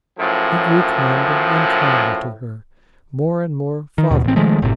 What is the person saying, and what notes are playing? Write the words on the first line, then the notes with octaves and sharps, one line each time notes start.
He grew kinder and kinder to her, more and more fatherly.
F#2 A2 F3
D#3
D#2 B2
A1 C4
D#3 F3 G#3 A3
F#1 A2 C3